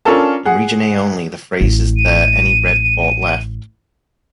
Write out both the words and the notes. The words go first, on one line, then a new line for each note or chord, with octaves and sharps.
In Region A only, the phrase Is there any red port left?
C#4 D4 F4 A4 A#4 A5
G#4 F#5
A1
D#7